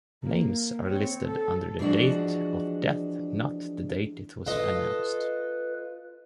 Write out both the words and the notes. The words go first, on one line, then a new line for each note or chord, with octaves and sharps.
Names are listed under the date of death, not the date it was announced.
A#3
C4 C#5
A4
E3 F3 G#3 D4 F#4
F4 A4 B4 D#5